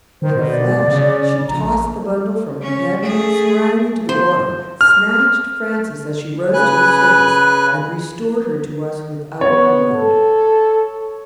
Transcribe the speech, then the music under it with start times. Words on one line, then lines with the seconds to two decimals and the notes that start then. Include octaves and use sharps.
Like a flash, she tossed the bundle from her head, sprang into the water, snatched Frances as she rose to the surface, and restored her to us without a word.
0.22 D#3 C5
0.35 B2
0.50 D5
0.88 C#3
1.49 A#1 A#5
2.62 C#4
3.01 A3 G#4
4.09 C5
4.81 F6
6.53 C#3 B4 G#5 F#6
9.41 B3 C#5
9.96 A4